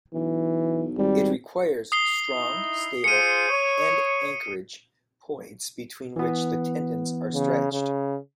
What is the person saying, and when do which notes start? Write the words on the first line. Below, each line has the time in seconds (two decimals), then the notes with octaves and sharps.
It requires strong, stable end-anchorage points between which the tendons are stretched.
0.14 B1 E3
0.97 G#1 G3
1.92 D#6 C7 G7
2.32 D#4 E4
3.04 F4 G#4 C5 C#7 D#7
3.49 C#5
6.16 E3 B3
7.34 C#3
7.72 C#3